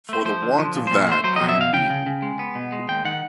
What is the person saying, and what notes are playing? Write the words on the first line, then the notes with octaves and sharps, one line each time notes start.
For the want of that I am beaten.
A3 C5
F3 C5
D3
F3
A#2
A#2 C5
A3 C5
F#3 C5
B2 D#5
E5
B2 F5
C#3 G5
C#3
C#3
G#3
B3
B2
G#3
D#2 G5
D#3 F#5